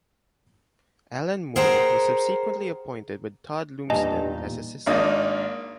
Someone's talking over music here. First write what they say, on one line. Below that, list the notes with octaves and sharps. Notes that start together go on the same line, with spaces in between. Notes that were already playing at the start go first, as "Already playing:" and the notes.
Allan Moore was subsequently appointed with Todd Lumsden as assistant.
G#4 A#4 C5 F#5 G5 A#5
E2 G2 A#2 D#4 D#5 G#5 A5
G#1 A#3 D4 D#4 D#6